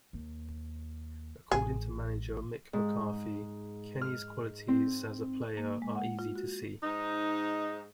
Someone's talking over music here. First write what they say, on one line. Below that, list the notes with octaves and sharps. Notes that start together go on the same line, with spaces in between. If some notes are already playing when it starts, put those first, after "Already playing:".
According to manager Mick McCarthy: Kenny's qualities as a player are easy to see.
D#2
A1 G#4
G#2
F6
C4
A#3
G#3
F#5
F4
F#4
G#2 D#4